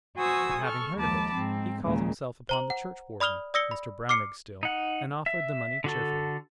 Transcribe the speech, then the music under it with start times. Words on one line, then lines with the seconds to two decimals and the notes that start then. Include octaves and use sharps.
But, having heard of it, he called himself upon the churchwarden--Mr Brownrigg still--and offered the money cheerfully.
0.16 F#4 C5 G#5 C#6 D#6 E6
0.61 A4 C#6 F6
0.98 D#2 F3 G#3 A5 B5 D6
1.34 G#2 C4
1.83 D#2 A#2 C#3 G#3
2.49 C5 A#5 F#7
2.70 F#5
3.20 D5 B5 D#6 F6 F7 G7
3.54 D5 D#6 E6 A#6 C#7 G7
3.71 B5
4.09 D6 F6 C7 C#7
4.63 D#4 F#5
5.26 E5
5.84 D3 F#4 A4